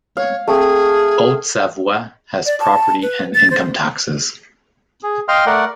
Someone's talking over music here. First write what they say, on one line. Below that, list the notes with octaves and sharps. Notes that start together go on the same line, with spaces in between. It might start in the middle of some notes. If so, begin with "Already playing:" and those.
Haute-Savoie has property and income taxes.
C#5 F5
A3 C4 G#4
D5
A5
B4
A6
C5
G#4
D#5 F5 G5 C6 F6
A3 A#4 D5 F#5